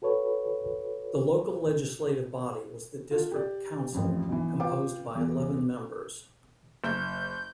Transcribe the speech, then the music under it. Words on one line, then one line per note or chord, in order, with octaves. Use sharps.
The local legislative body was the District Council, composed by eleven members.
F#4 A4 B4 C#5
F4 F#4 A4
G4 D5
A1 F2 F3
B1 E3
F4 B4 F5 G5 D6
E2
F#1 G6